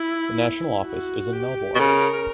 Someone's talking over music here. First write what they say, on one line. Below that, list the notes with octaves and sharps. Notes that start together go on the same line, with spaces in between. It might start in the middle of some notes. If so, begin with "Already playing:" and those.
The national office is in Melbourne.
Already playing: E4
F#4
G4
B2
C#3 A#4